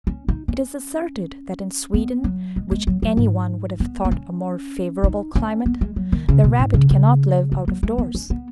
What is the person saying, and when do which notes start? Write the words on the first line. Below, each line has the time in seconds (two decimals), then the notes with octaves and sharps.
It is asserted that in Sweden, which any one would have thought a more favourable climate, the rabbit cannot live out of doors.
0.07 C#4
0.29 D#4
0.48 C#4
1.94 B3
2.24 F#3
2.56 G#3
2.71 G#3
2.87 F#3
3.02 F#3
3.17 G#2
3.80 B3
4.05 B3
4.11 C#4
5.04 D#4
5.35 C#4
5.66 B3
5.81 G#3
5.96 F#3
6.12 D#3
6.29 C#3
6.44 B2
6.59 G#2
6.74 C#3
6.91 C#3
7.52 F#3
7.68 F#3
7.83 G#3
7.98 B3
8.15 C#4
8.30 B3